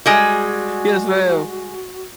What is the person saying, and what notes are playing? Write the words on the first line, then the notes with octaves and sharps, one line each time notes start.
Yes, ma'am.
G3 G#3 F#4 G#4